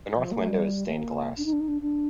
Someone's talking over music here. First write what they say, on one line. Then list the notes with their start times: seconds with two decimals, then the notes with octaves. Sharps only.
The north window is stained glass.
0.18 F3
0.31 A#3
0.40 A3
0.48 G3
0.87 A3
0.92 A#3
1.37 D4
1.45 D#4
1.52 D4
1.60 D#4
1.68 D4
1.81 D4